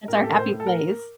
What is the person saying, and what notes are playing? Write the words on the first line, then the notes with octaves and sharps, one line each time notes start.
that's our happy place.
A2 A#4
G4
A2 A4
A#4
A2 C5
A2
A4
A2 A#4